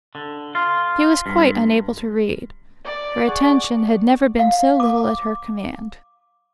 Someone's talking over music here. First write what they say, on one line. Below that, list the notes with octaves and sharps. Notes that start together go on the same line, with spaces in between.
She was quite unable to read; her attention had never been so little at her command.
D3
F4
G2
D5
G#4 F#5 C#6
F5
D6